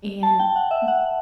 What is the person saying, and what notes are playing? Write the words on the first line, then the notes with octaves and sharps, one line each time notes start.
And m
A5
G5
F#5
E5
F#5